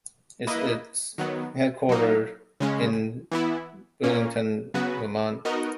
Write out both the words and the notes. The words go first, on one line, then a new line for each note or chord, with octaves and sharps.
It is headquartered in Burlington, Vermont.
A#3 E4 B4 D#5
D#3 F#3 B3
F#3 A#3 D#4
C#3 G#3 C#4
E3 B3 E4
A#2 A#3 C#4
C#3 F#3 B3 F#4 B4
B3 D#4 F#4 A#4 D#5